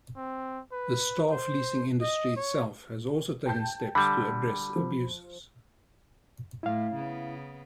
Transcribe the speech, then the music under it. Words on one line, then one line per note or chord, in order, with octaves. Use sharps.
The staff leasing industry itself has also taken steps to address abuses.
C4
B4
C5
D#5
C#5
G5 A5 G6
D3 G3 B5
F3
A2 E4 F5
C#3 B3